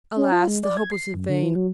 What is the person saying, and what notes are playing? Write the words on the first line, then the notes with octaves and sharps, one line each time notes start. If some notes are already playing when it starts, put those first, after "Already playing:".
Alas! the hope was vain.
C#4
F4
G#3
D5
G#6
C7
F#2
D3
E3
F#3